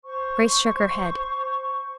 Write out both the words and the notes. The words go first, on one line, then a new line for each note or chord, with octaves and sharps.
Grace shook her head.
C5 C#6